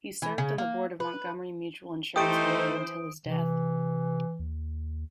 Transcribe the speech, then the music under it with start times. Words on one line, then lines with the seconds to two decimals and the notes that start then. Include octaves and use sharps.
He served on the board of the Montgomery Mutual Insurance Company until his death.
0.22 E3
0.38 C#3
0.58 A#3
1.00 B4
2.16 E3 A3 D#4 G4 C5 D#6 D7
3.26 C3 E3
4.39 D#2